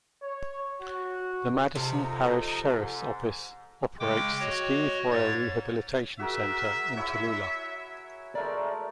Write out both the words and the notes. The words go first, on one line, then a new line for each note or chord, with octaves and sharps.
The Madison Parish Sheriff's office operates the Steve Hoyle Rehabilitation Center in Tallulah.
C#5
F#4
C3 F3 D#4 A4
G#2
C#3 G#3 G5 D6
F#4 C#5 D#5
G#2 C#5 G#6 A6
F#4 G#4 A#4 E5
E4 C#5 G#5
G#3 A3 A#4 D5